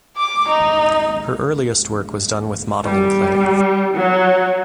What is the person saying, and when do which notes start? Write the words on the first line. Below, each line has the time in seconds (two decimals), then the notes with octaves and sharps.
Her earliest work was done with modeling clay.
0.17 D6
0.49 D#4
2.85 G3
3.94 F#3